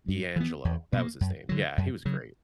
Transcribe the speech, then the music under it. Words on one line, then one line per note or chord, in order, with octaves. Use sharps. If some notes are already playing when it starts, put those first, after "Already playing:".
D'Angelo, that was his name, yeah, he was great.
G2
E3 B3
E2
B2 A#3
F#2
D3 F#3
F#2
C#3 F#3